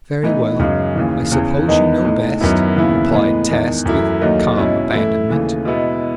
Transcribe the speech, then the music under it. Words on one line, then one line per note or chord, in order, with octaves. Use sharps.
"Very well; I suppose you know best," replied Tess with calm abandonment.
A2 E3 B3 D#4
F#2 C#3 G#3
D#2 C#3 E3
E2 C#3 E3
E2 D#3 G#3 B3 D#4
A2 G#3 D#4
F#2 D#3 F#3 B3 E4
D#2 C#3 E3 B3 E4
A2 E3 G#3 B3
E2 D#3 G#3
F#2 E3 A3 E4
D#2 D#3 F#3 A3 D#4
B2 G#3 C#4 E4
A2 E3 A3 E4
D#2 C#3 E3 A3
B2 G#3 B3 E4